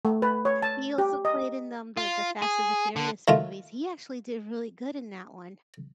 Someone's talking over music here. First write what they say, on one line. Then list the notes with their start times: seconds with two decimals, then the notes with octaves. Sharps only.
He also played in the, um, Th The Fast and the Furious movies; he actually did really good in that one.
0.05 A3
0.22 B4
0.45 C#5
0.62 A5
0.98 G4
1.25 D#5
1.97 F4
2.42 G#4
2.96 D3
3.28 D#3 A3 F4